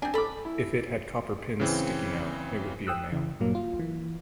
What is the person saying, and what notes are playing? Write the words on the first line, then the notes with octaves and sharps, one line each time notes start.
If it had copper pins sticking out, it would be a male.
C4 D4 G#5
A4 A5 B5 D6
E4
C#3 E3 C4
G5 D#6 E6 F#6
C#3 E3
G2 A#2 F#3 A#3
F4
E3